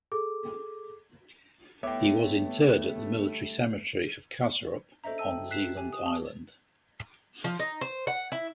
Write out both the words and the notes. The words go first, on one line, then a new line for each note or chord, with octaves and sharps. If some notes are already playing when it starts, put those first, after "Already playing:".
He was interred at the military cemetery of Kastrup on Zealand island.
G#4 A4 D6
D3 G3 A3 B3 C#5 E5 G5 D6
A4 C5 D#5 E5 A#5
G5 A5 E6 D#7
F#6 B6 C7 E7
G4 G#5
D#6
G#5 A5 D#6
F3
D#4
C5
F#5
E4